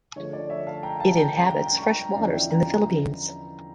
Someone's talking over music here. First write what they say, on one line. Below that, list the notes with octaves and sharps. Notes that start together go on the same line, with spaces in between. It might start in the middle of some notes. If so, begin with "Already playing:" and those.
It inhabits freshwaters in the Philippines.
D3 F3 A3 C#5
D5
C#5 E5
F5 A5
G5 A#5
F5 A5
G5 A#5
G5 A#5
G5 A#5
G5 A#5
C#6
G5 A#5
E2 D3 F3 C#4 E4 D5 F5
E5 G5
G5 A#5